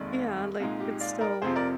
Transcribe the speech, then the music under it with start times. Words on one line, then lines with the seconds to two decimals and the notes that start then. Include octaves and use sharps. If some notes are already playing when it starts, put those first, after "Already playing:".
Yeah. Like, it's still
Already playing: F1 D#2 D#3 G#3 D5
0.60 C2 A#2 G#3 D#4
0.80 G4
1.00 D5 F5
1.21 A#4 D5
1.42 F1 F2 C3 F3 G#4 C5
1.56 A#4 D5